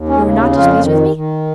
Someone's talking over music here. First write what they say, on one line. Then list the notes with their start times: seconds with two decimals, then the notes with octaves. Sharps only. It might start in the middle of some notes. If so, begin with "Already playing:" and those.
"You are not displeased with me?"
Already playing: D#2
0.09 C#4
0.25 C#3
0.55 F2 F4
0.85 D#3
1.16 D#3